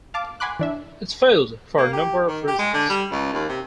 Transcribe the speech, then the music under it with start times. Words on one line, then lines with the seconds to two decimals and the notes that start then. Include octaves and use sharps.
It failed for a number of reasons.
0.14 F5 A5 D6
0.40 F#5 G#5 B5 C6 D6 F#6
0.59 E3 D4 E5
1.78 A#3
1.93 G4
2.28 D#3
2.48 G4
2.59 G#3
2.74 D3
2.90 G3
3.12 C#2
3.33 D#2
3.49 C3